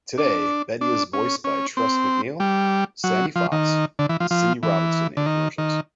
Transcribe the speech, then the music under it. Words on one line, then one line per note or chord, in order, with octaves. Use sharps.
Today, Betty is voiced by Tress MacNeille, Sandy Fox and Cindy Robinson in commercials.
D4
D4
C#4
C#4
C4
G3
F#3
F3
D#3
D3
E3
F3
F3
E3
D3
D#3
D#3